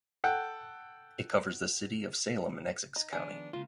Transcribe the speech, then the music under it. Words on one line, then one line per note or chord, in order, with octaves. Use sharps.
It covers the city of Salem in Essex County.
A4 F#5 G5
D#4
D#3 F3 B3 D4 G#4
C#3 G#3 A#3 F4